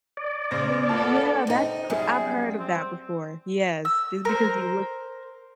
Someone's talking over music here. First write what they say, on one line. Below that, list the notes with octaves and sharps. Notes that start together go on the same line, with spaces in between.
Oh, yeah, that c I've heard of that before, yes, just because you look
D5
C#3 C5 A#6
A#3 B3 F4 A4 A5
C4 D#4
F#2 G3 G#4
C4
E6
A#4 C5